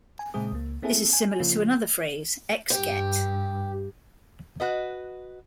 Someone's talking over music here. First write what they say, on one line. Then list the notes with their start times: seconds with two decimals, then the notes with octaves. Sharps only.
This is similar to another phrase, X get!
0.19 G#5
0.34 A#2 C#3 G#3 C4 G#4 D#6
0.52 C#2 A#3
0.82 A#3 C4 E4 G#4 A4 E5
1.13 G#5
1.39 C#3 F3 A#3 C#4 F4
2.70 G2 G4
4.60 F#4 B4 D#5